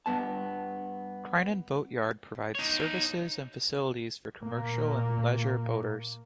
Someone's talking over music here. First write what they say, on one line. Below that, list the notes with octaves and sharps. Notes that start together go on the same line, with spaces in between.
Crinan Boatyard provides services and facilities for commercial and leisure boaters.
G2 B3 A5
D#4 C#5
A#2 A#3